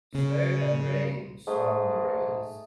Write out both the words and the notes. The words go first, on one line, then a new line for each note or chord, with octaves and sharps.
Snow and rain swell the rivers.
C#3
G#2 A3 G#4